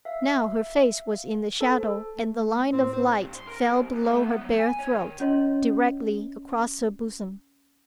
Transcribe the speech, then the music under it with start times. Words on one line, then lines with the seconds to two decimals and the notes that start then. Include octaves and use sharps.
Now her face was in the shadow and the line of light fell below her bare throat, directly across her bosom.
0.05 E5 F5
1.61 A4 C5 A5
2.16 A3
2.73 A2 C4
2.93 C4
3.21 G2
3.34 C6
3.48 A#4
3.63 C2
3.93 C2
4.06 A3
4.23 B3
4.41 F#3
4.59 G#5
4.79 C#5
4.92 D#3
5.20 C#4 F4 C#5 D#5 C6